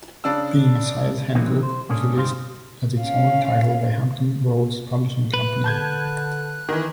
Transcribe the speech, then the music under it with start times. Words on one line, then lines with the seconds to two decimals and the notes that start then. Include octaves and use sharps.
The "Messiah's Handbook" was released as its own title by Hampton Roads Publishing Company.
0.24 C#3 D4 E6
1.35 D3 E3 F#3 A#3 C4 D#4
1.63 C5
1.89 G#3 A#3 C#4 D4 G#4
2.15 G2 D#4 C5 F5 C6
3.00 C#4 F5
5.34 B4 F#6
5.64 D3 A5 G6 G#6
6.69 D#3 E3